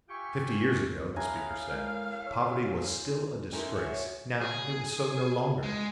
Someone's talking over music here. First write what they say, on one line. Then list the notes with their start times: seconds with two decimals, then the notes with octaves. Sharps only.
Fifty years ago, the speaker said, poverty was still a disgrace, now it was so no longer.
0.09 F4 G4 E5 G5 G#5 C#6
1.16 A2 G#4 B4 E5 F5 G#5 A#5
1.72 G#3 A#4
2.26 C#5 E6
2.83 C5 C6
3.52 C#4 D#4 E4 A4 A#4 C5
3.76 F#4 G#4 A#4 C#5 E5
4.41 G#4
5.63 G#3